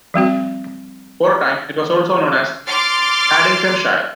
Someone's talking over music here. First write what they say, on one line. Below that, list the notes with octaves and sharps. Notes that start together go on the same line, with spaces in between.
For a time, it was also known as Haddingtonshire.
F3 G3 C4 F#4
C6 D6 F6 A6 C7 D7